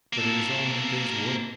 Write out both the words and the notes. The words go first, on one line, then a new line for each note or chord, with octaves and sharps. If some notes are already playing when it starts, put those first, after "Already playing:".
But it is all in the day's work.
A#3 A4